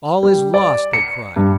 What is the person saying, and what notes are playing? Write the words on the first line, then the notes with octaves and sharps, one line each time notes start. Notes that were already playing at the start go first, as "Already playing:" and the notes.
"All is lost!" they cried.
G3
D5
C#7
G2